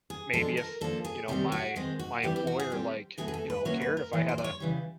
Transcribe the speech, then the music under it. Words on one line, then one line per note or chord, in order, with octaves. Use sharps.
maybe if you know, my my employer, like, you know, cared if I had a
G#4
F3 G#3 B3 D4 A4
A#4
F3 A#3 D4 A4
G#4
C3 D#3 G3 C4 G4
F#4
D#3 G#3 C4
F#4
E3 G3 C4 G4
G4
F#4
G#4
D3 G3 C4 G4
B2 F#3 A3 C#4 G#4
G#4
A4
B4
A2 F#3 A#3 C#4 C#5
B4
A#4
A2 E3 G#3
C5
D5
C#5
C#3 E3 G3